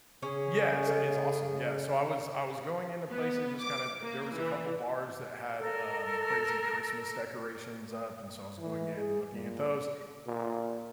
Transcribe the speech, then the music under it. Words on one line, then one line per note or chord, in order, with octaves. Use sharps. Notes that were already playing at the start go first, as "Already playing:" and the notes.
Yeah, it's it's awesome, yeah, so, I was I was going into places just kind of t there was a couple bars that had, um, crazy Christmas decorations up, and, so, I was going in and looking at those,
C#3 C#4 G#4
A4 B4 D#5
B3
D6
A#3
E3
A4 A#4
E3
G#4
A#2
A#2